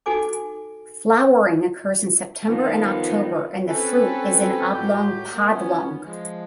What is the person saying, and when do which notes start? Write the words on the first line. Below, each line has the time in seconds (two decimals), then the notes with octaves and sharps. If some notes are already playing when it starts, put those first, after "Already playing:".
Flowering occurs in September and October and the fruit is an oblong pod long.
0.06 D#4 F#4 A4 G#5 D6
2.50 D#3 F3 B3 F4
3.68 C4 C#4 A4 B4
4.74 A2 F#3 G4 G6
5.33 A#3
5.50 B3 C#4
6.05 F3 G#3